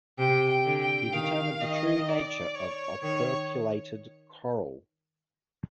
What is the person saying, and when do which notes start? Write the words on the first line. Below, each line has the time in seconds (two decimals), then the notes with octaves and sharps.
He determined the true nature of the operculated coral.
0.18 C3 G5
0.49 G5
0.65 D3
0.82 G5
1.13 D#3 F5
1.60 D#3 D#5
2.08 D5
2.55 C#5
3.02 D#3 C#5